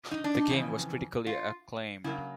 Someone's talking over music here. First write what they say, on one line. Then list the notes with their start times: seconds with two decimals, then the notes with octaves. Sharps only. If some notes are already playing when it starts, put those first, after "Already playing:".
The game was critically acclaimed.
0.11 D#4
0.24 D4
0.37 D#4
0.49 F2 C#3 E3
1.27 F4
2.04 C#3 F#3 A#3 E4